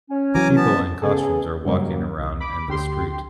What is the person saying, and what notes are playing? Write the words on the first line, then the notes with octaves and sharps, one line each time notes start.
People in costumes are walking around in the street.
C#4
E3 F#3 G#5 A#5 D6
B3 A5
C#3 B3 G#4 A4
G2 C#3 F#3 G3 A#3
C2
B5 D6
D2 G4 C6